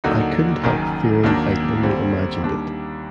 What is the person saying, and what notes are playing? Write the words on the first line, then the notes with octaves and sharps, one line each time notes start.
I couldn’t help fearing I’d only imagined it.
D#2 D3 F#3 A#3 D#4
F#1 F#2 D#3
D#2 D#3 F#3 A#3 D4
D#2 D3 G3 C4
D#2 D#3 G3 D4